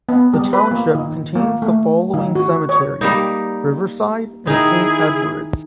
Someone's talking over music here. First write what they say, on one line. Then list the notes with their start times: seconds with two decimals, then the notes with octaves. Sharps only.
The township contains the following cemeteries: Riverside and Saint Edwards.
0.09 B3
0.34 G3
0.53 B4
0.71 A#3
0.95 D#3
1.35 A#3
1.62 A3
2.14 D#3
2.35 F#4
2.69 C#5
3.01 G3 A#3 D#4
4.47 D#3 D#4 E4 G#4